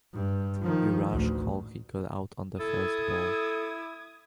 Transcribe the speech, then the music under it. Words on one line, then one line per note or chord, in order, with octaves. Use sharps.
Viraj Kolhi got out on the first ball.
G2
D#3 F3
A1 D2
E4 A4 D#6 G#6